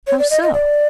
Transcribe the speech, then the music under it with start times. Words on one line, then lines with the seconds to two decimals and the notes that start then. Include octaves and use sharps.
"How so?"
0.07 C#5
0.19 D5
0.31 D#5
0.43 D#5
0.54 D5